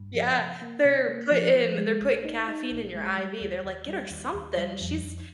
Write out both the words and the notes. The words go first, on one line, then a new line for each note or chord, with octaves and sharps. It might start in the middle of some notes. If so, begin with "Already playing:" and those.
Yeah, they're putting they're putting caffeine in your IV, they're like, "Get her something, she's
Already playing: G2
F3
C3
A#3
C3
A#3
F3
F3
G#3
A#1
D#4
D#4
A#1
G#3
G3
D#2
D#2
G3
D#2
D#2
G3
F2
F2